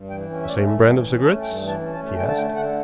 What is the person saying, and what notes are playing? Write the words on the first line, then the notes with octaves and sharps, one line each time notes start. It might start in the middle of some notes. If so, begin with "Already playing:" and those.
"The same brand of cigarettes?" he asked.
Already playing: G2
E3 G5
C#4
E5
A3 D5
G2 E5
E3 G5
C#4
A3 A5
G2 G5
E3
A5
C#4
A5
A3
D3 G5
A5
A3 G5
D3 F#5